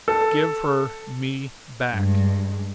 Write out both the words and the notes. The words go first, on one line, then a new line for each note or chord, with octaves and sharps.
"Give her me back."
A4
G2 G#3